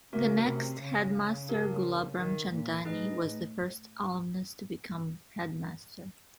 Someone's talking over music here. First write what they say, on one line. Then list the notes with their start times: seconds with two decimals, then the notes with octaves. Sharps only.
The next headmaster, Gulab Ramchandani, was the first alumnus to become headmaster.
0.13 C#3 A3 C#4 F#4 A#4
0.47 C3
0.81 C#3
1.49 D4 G4 A#4
2.17 D#3
2.51 A#2
2.85 A2 D#4 G#4 B4 D#5
3.20 A2